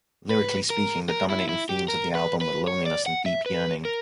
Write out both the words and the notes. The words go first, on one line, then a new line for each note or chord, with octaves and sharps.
Lyrically speaking, the dominating themes of the album were loneliness and deep yearning.
B4
A#4
A#4
E4
E4
G4
A#4
B4
B4
C#5
D5
F#5
E5
B4
A#4